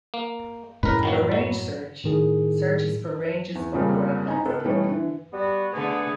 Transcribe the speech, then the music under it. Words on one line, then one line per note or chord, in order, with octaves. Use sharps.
A range search searches for ranges of parameters.
A#3
F#2 A2 G#3 A#4 B4
D#3 F#3 A#3
F#3
A2 D#3 G#4
E2
F2 A#2 C#3 G3 G#3 A#3
D#4 G#5 A#5
C#2 B3 A4 A#4
B2 E3 G3 A3 B3 C#4
D3 E3
G3 B3 F#4
D3 A3 B3 G#4